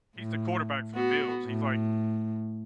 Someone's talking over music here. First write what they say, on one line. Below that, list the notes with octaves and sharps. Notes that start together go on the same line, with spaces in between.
He's the quarterback for the Bills. He's, like
A2
B3 F#4
A2